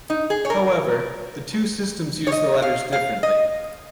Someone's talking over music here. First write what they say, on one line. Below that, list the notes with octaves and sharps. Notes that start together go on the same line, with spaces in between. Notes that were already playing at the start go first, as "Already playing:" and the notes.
However, the two systems use the letters differently.
D#4
G#4
C#5
A#4
C#5
D#5
F5
F5
D#5